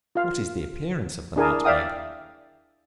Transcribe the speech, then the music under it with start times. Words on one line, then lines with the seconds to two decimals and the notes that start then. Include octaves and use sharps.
What is the appearance of the Nutmeg?
0.15 F4 F5
1.36 D4 E4 G#4 A#4 G#5 A5
1.64 D5 E5 F5 G5 D#6